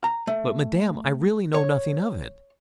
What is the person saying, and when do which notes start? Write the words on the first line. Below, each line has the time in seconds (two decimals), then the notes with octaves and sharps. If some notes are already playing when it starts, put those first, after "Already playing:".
'But, Madame, I really know nothing of it.
0.04 A#5
0.27 A3
1.54 C#5